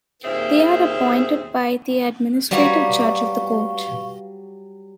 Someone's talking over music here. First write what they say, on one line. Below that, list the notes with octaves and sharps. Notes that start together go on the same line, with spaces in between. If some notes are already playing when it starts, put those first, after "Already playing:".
They are appointed by the administrative judge of the court.
D#2 A#2 C4 G#4 C#5 E5
F#3 G3 B4 F5 C#6